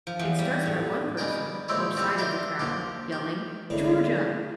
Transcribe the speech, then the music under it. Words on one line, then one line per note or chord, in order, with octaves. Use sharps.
It starts by one person, or side of the crowd, yelling Georgia!
F3
E2
G3
A2
G2 B2 G#4 A#4 G5
A#1 G#2 D3 C4 E4 C#5
E3 F3 G3 C4 E4
D#4 G4 A#4 E5 F5
F3 A#3 G4
G4
A2 D3 E3 G3 G#3 D4